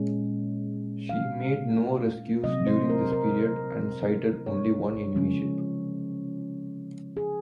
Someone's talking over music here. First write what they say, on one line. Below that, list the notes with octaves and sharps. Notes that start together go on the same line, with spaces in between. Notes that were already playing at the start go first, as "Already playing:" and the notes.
She made no rescues during this period and sighted only one enemy ship.
Already playing: A#2 G#3 C#4
F5
C3 F#3 C4 D#5
C5
A#4
A#4
C#5
C#3 F3 G#3 C#4
G#4